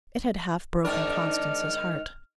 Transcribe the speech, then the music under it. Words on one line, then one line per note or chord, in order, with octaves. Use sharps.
It had half broken Constance's heart.
G#2 D#3 D4 A#4 F6